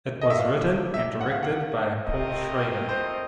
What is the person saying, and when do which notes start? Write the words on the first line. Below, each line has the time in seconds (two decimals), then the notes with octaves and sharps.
It was written and directed by Paul Schrader.
0.22 D#5
0.30 E5
0.37 G3 A#3 D4 F5
0.94 E5
1.21 F#5
1.32 F5
1.43 F#5
2.05 A3 C4 F4 A#4 D#5
2.89 C5